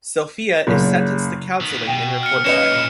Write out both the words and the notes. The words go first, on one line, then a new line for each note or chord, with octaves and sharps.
Sophia is sentenced to counselling in her court trial.
F#1
D#3 B3
B2 G5
F6 C#7
A#3 C#4 D#4 B4 D#5 C#7 E7
A#2 E4